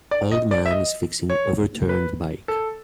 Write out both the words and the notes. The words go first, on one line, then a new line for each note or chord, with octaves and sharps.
Old man is fixing overturned bike.
D5
D#5
D5
E5
D#5
C#5
B4
A4